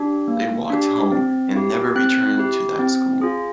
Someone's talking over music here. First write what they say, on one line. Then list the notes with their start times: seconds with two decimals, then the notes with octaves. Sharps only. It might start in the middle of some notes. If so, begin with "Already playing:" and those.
They walked home, and never returned to that school.
Already playing: D4 G4
0.28 A#3
0.70 D4 G4
1.12 C4
1.54 E4 G4
1.96 C4 F#6
2.38 E4 G4
2.79 C4
3.22 F4 G#4